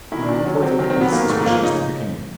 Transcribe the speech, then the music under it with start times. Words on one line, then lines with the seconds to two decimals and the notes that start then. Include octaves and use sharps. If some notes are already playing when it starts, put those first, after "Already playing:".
He reported his suspicions to the king.
0.12 D#3 E4
0.23 D4
0.29 D#3
0.34 D4
0.45 F#3 C#4
0.62 F#3 C4
0.79 D#3 C4
0.90 C4
0.96 F#3 B3
1.12 D#3 A#3
1.29 G#2 A3
1.46 F3 A#3
1.63 C#3 D#4